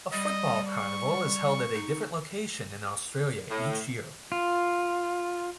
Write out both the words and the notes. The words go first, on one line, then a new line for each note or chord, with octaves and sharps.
A football carnival is held at a different location in Australia each year.
G3 D#5
C#6
D#4
A2
F4